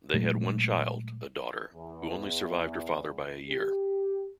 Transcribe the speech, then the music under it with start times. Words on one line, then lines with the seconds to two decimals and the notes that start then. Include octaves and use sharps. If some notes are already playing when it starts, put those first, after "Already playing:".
They had one child, a daughter, who only survived her father by a year.
0.14 A#2 F#3 G#3 A3
1.74 E2
3.49 G4